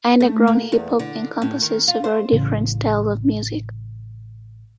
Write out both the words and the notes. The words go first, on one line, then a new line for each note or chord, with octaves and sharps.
Underground hip-hop encompasses several different styles of music.
A3
A#3
E2
D3
A2
D#3
F4
C5
A1 C#3